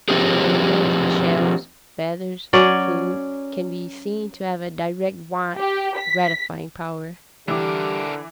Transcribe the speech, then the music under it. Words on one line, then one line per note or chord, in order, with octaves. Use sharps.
Ornaments, shells, feathers, food can be seen to have a direct want-gratifying power.
F3 C4 D#4 G4 G#4
F#3 C#4 D5
G4
B6
D3 E3 G3 D4 G4 A#4 D6